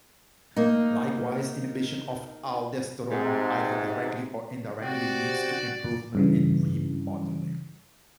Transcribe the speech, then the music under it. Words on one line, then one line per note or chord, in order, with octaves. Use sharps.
Likewise, inhibition of aldosterone, either directly or indirectly, leads to improvement in remodeling.
A#3 D#4
G#2 C3
C3 F#4 D5 G5
G2 C#3 E3